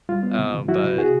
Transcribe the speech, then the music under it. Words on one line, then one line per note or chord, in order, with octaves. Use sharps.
um, but
G3 F4
B3
C3
D#3
F#3 E4 F#4
C3
C3 F#4 G#4